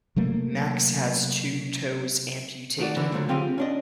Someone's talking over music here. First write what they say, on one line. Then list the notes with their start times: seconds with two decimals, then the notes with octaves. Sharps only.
Max has two toes amputated.
0.16 C3 F#3 A3 A#3
2.78 D#3 A3 F#4 D5
2.97 D3 E3
3.14 D3 F3 F#3 A3
3.28 D3 C4 F4 G4 G#4
3.58 C#4 D4 D#5